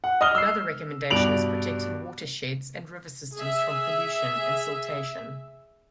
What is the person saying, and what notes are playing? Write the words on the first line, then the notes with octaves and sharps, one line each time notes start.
Another recommendation is protecting watersheds and river systems from pollution and siltation.
F#5
D#5 D#6 F6 G7
E6 C7
G2 B2 D5 D7 F7 F#7
G#4 E5